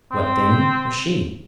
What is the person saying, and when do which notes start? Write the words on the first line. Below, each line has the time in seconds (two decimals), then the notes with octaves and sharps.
What, then, was she?
0.12 C4